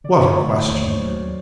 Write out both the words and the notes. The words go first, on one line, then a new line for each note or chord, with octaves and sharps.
"What a question!"
D3 D5
C#5
A3 C#5
C#5
C5
D#2 C#5
C5
C#5
F#3 D5